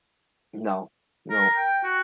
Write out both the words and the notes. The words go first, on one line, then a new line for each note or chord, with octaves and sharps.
No. Nope.
A#4
G5
F#4